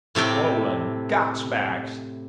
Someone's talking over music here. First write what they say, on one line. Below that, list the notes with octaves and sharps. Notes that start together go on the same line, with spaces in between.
Swollen gas-bags!
A2 C3 A4 G5